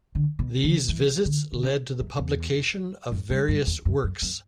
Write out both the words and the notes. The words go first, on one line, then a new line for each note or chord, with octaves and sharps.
These visits led to the publication of various works.
D3
B2
D3
E3
D3
D3
C#3
F#2
E2
F#2
G2
G2
E2
F#2
F#2
F#2